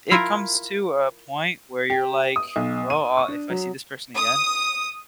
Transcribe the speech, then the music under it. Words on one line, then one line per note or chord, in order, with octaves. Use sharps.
it comes to a point where you're like, "Well, uh, if I see this person again,
E4 F4 A#4 E5
G4
D#6
B1
D#7
C#6
D4
F#3
D#6